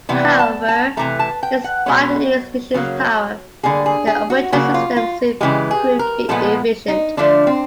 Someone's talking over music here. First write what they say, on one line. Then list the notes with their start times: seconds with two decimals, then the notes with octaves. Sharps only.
However, despite the new machines' power, their operating system soon proved to be inefficient.
0.09 C3 E3 G3 B3
0.39 A5
0.68 A5
0.97 C3 E3 A3 A#5
1.19 A5
1.43 G5
1.64 F#5
1.86 B2 G#3 B3 C#5
2.74 C#3 F#3 A#3
3.63 D3 G3 A#3 G#4
3.86 G#4
4.07 G#4
4.30 F#4
4.52 C#3 F#3 A#3 F#4
4.74 F4
4.96 F4
5.41 C#3 E3 G#3 G4
5.71 G#4
5.99 A#4
6.29 A#2 F3 G#3 B3 A4
6.88 D#4
7.17 D3 F3 A3 D4
7.47 C4